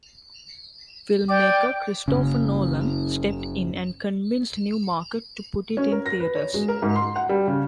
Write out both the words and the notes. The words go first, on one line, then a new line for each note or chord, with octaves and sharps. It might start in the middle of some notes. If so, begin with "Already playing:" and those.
Filmmaker Christopher Nolan stepped in and convinced Newmarket to put it in theaters.
D5 G5
F#1 C#3
C#4
A#4
A#6
B4
C#5
G#3
A#4
G#2
C6
F#5
G3
C#3